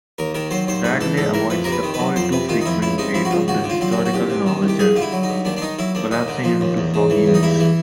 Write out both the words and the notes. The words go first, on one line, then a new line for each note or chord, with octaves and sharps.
Bradley avoids the all-too-frequent fate of the historical-novel genre: collapsing into a soggy mess.
D#2 A#4
D#3 A#4
F#3 C5
D#2 C5
G#2 B4
E3 A4
G#2 A4
E3 A#4
F2 B4
C3 A#4
B4
D#3
B4
F#3
F2 C5
C3 B4
D#3 F4
D#4
F2 E4
C#2 E4
C3 D#4
F3 E4
F#4
C#2 F4
D#2 F#4
D3
F4
F#3 F4
F#4
D#2
F#4
C2 G4
C3
D#3
C2
G4
G2 G#4
D3 F4
E4
F#3
D#4
G2
D#2 D4
D4
D#3 D#4
F#3 E4
D#2 D4
D#2 D#4
D3
F3
D#2
E2
C#3
E3
E2
D#4
G2 E4
E3